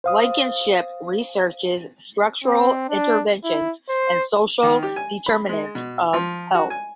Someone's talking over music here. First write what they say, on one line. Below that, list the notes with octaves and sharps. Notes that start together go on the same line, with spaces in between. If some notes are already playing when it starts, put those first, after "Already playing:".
Blankenship researches structural interventions and social determinants of health.
C5 F5 D#6
C4
D4
E4
C5
D#3
G4
G#5
B5
G#3
B2
F3
F#4
G#5